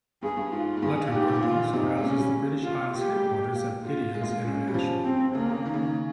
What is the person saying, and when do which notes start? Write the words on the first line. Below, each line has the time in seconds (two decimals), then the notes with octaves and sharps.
Lutterworth also houses the British Isles headquarters of Gideons International.
0.22 G2 G#4
0.37 G2
0.52 G#2 F4
0.77 G#2
0.82 G2 G#4
1.07 A#2
1.12 G#2 G4
1.28 A#2
1.43 A#2 F4
1.73 C3 D#4
1.98 G#3
2.03 A#3 C#4
2.18 G3
2.63 F4
2.94 A#3 G4
3.03 G#3
3.13 G3
3.23 G#3
3.54 A#3
3.85 F4
4.14 G#3
4.21 A#3
4.28 G#3
4.44 G#3 C#4
4.68 G3
4.74 F3
5.05 C4
5.35 C#3 A#3
5.50 C#3
5.66 D#3
5.74 C#3
5.81 D#3